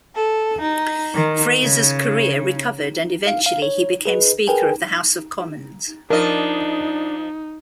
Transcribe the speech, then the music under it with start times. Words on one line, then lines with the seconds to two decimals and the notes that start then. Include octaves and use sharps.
Fraser's career recovered and eventually he became Speaker of the House of Commons.
0.14 A4
0.60 D#4
1.14 D#3
1.61 C#3
3.27 F5
3.46 F5
3.62 C#5
4.05 G#4 B4 D#5
4.48 G#4 A#4 B4 G5 G#5
6.10 F3 D4 D#4 A#4 D#5